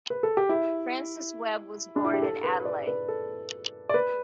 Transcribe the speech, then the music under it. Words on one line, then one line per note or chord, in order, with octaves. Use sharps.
Francis Webb was born in Adelaide.
B4
A4
G4
E4
D4
E4
G4
A4
B4
D5
B4
A4
D5
B4